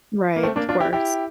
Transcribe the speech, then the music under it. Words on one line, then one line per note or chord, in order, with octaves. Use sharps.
Right, of course.
A#3
A3 C4
A#3 D4
D4 F4
E4 G4
E4 G4